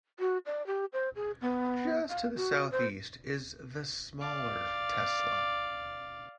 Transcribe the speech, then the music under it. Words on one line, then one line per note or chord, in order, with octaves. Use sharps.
Just to the southeast is the smaller Tesla.
F#4
D5
G4
C5
G#4
B3
F5
F#4
C5
D5 F5